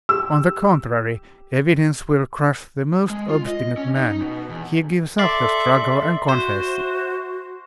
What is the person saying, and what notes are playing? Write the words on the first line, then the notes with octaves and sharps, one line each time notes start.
On the contrary, evidence will crush the most obstinate man; he gives up the struggle, and confesses.
G4 E6
G#3
F4
D#5
C#4
D#4
B2
E2
A4 D5 E5 C6 C7
F#4 C5